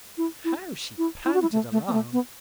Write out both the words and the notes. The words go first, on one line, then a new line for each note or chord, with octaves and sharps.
How she panted along!
E4
E4
E4
E4
F#4
E4
A3
A3
B3
A3
B3